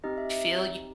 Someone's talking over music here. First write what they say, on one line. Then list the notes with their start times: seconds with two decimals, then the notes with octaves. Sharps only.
feel you
0.04 C4 D#4 G4 D#5
0.18 E5
0.30 E5